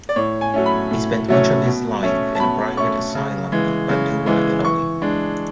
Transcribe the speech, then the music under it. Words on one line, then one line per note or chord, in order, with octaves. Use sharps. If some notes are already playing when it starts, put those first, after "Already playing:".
He spent much of his life in a private asylum in Padua, Italy.
D5
A2 C#5
G#5
F#3 A3 C#4
B5
A2
F#3 A3 C#4
B2
A3 C#4
A5
B2 B5
A3 C#4 C#6
C#3
E3 G#3
C#3
E3 G#3
E3 C#6
G#3 D4